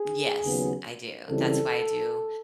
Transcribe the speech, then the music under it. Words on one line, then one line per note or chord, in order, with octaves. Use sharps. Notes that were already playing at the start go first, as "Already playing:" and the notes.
Yes. I do. That's why I do,
Already playing: G#4
D#2 C#3 F#3 B3
C#2 C#3 E3 G3 C4 A4